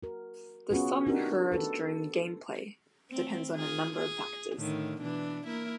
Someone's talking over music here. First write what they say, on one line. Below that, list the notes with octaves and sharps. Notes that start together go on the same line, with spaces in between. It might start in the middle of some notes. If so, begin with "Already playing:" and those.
The song heard during gameplay depends on a number of factors.
F#4 A#4
B3 C#4 F4 F#4 G#4 B4
D4 D#4 F#4 G4 A#4
A4 B4
A3 C4
F4 G#4
G#4
A2 D3 D#3
B2 E3 D4
A#3 E4 A#4